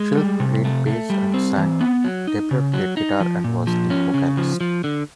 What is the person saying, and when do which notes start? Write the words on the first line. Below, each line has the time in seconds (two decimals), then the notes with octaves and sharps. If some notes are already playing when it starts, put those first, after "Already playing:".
Schilf played bass and sang; Deibler played guitar and was lead vocalist.
Already playing: G#3
0.17 G3
0.40 C3
0.64 A3
0.86 A3
1.10 G3
1.34 C4
1.58 E3
1.81 B3
2.04 F#3
2.27 D#4
2.51 C#3
2.74 F#3
2.97 D#4
3.20 F3
3.44 A#2
3.67 F3
3.90 C#4
4.14 C#3
4.37 F3
4.61 F3
4.84 D3